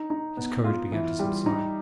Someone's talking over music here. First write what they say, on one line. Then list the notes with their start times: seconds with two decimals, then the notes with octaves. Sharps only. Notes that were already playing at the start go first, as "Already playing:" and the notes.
His courage began to subside.
Already playing: D#4
0.10 D#4
0.37 B3
0.64 F4
0.92 E3
1.19 G3
1.46 D#4